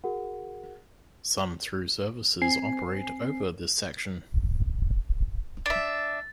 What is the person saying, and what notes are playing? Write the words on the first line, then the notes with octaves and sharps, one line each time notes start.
Some through services operate over this section.
F#4 G#4 A#4 F#5
C4 G#5 C7
D4 E5 A6